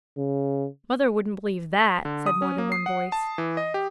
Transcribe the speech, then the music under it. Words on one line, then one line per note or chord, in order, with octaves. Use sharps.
'Mother wouldn't believe THAT,' said more than one voice.
C#3
D3
D#6
C#4
A#3
C7
F#5
A5
E3
D#5
G4